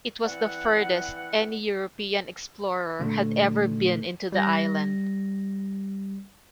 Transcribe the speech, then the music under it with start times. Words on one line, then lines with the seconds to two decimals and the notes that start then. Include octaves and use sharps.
It was the furthest any European explorer had ever been into the island.
0.25 E3 C4 D5 F#5
2.99 D2 A#2 A3 D4
4.32 G3 A#6